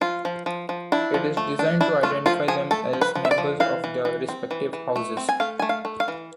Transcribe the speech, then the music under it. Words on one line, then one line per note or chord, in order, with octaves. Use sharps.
It is designed to identify them as members of their respective houses.
F3 F4
F3
F3
F3
D4 E4
F3
A3
D4
D4 E4
A3 F4
F3 F4
F3 G#4
A3 A4
F3
B4
F3
E5
D5
F3
E3 F5
E3
E3
C4
E3
E3
A3
C4
G#5
A3 F5
A3 G#5
F5
A3
F5
E3